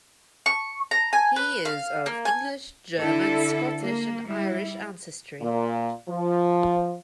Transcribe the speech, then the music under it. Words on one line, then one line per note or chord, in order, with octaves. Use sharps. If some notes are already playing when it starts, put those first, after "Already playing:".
He is of English, German, Scottish, and Irish ancestry.
C#6
A#5
G#5
B4
F5
A#3
G#5
D3 E4 A4
A#3
G3 E4
A#2
F3